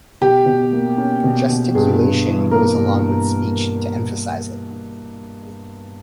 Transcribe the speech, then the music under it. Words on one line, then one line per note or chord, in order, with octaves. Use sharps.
Gesticulation goes along with speech to emphasize it.
B2 G4
B2
A#3
C#4
B2
B2
G2 G#4
G2
E3
A#3 A#4
G2